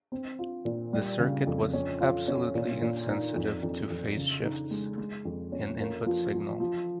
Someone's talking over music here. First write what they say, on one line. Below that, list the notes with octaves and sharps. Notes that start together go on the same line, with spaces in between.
The circuit was absolutely insensitive to phase shifts in input signal.
C4
F4
A#2
G3
C#3
F2
C#4
F4
C#4
A#2
A#2
D#4
F2
F2
F2
C#3
D#4
G#3
G#3
F2
C#4
A#3
F3
F3
F3